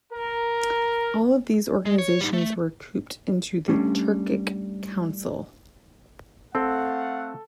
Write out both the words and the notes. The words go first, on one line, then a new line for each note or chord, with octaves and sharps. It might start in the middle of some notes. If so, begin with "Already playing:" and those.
All of these organizations were coopted into the Turkic Council.
A#4
G#3
C#5
G3 D#4
A3
G3 A3 C#4 D4
A3 C4 A4 F5 F#5